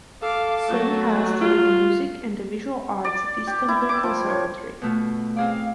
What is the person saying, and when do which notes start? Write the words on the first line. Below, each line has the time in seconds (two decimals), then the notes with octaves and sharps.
Semiha studied music and the visual arts at Istanbul Conservatory.
0.23 A4 F5 D6
0.69 F#3 A3
1.42 F4
3.05 D5
3.47 G4
3.68 E4
3.89 D6
4.03 F3
4.30 C#5
4.82 B2 A3 F4
5.37 C4 G#4 D5 F5